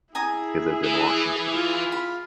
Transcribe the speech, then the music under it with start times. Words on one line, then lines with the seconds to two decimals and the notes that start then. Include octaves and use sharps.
He lived in Washington.
0.15 E4 G#4 G#5 A#5 D#6
0.84 E3
1.54 F4
1.92 B5